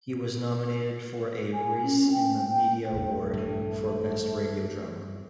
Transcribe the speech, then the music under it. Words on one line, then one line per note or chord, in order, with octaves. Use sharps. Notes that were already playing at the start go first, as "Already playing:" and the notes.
It was nominated for a "Race in the Media Award" for Best Radio Drama.
G#5
C#4
G5
G5
A#1 F2 A3
G2 E3